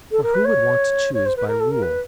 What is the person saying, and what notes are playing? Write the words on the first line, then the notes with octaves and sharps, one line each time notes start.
For who would want to choose by rule?
A4
A#4
B4
C#5
C#5
C5
B4
A#4
A4
A#4
B4